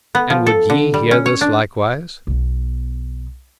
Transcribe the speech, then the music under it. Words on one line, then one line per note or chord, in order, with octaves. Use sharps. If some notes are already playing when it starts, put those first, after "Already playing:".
And would ye hear this likewise?
B3
F3
A4
D3
G3
C#4
C#5
D4
B1 B3